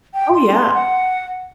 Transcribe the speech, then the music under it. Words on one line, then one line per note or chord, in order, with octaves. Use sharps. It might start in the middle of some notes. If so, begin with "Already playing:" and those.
Oh, yeah.
G5
C6
F#5